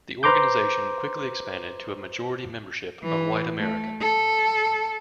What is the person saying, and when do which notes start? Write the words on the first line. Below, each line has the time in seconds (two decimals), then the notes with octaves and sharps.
The organization quickly expanded to a majority membership of white Americans.
0.23 B4 C5 A#5 C6 D6 G6
3.03 E3
3.58 A3
4.00 A4